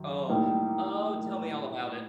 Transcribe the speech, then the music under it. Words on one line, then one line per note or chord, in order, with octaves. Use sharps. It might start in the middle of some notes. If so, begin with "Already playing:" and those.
Oh. Oh, tell me all about it!
Already playing: F#2 D#3
A2 G3 A#3 D#4